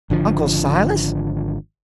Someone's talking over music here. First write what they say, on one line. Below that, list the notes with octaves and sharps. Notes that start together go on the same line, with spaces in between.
Uncle Silas?
G#1 D3 F3